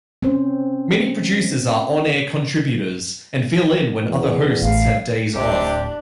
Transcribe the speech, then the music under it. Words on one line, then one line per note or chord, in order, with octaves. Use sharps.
Many producers are on-air contributors and fill in when other hosts have days off.
C4 C#4 C5
E2
A1 A3 F5
D1 A2 C3 D4 G4